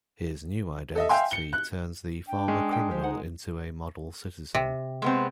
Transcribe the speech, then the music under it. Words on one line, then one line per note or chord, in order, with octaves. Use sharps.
His new identity turns the former criminal into a model citizen.
A4 D#5 E5
E5 F5 G5 G#5 C6
C#7 G7
F#6
D4 G5
G#3 C#4
G#4 G5
F3 G4 C5
D#4 F#5
C3
G#3 B3 C4